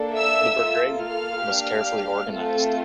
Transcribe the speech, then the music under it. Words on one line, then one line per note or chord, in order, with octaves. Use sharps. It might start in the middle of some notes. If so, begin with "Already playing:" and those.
The Brigade was carefully organized.
Already playing: A#3 D4 A4
E5 E6
A#3 F4 A4
F5 F6
A#3 D4 G4
A3 C4 F4 A4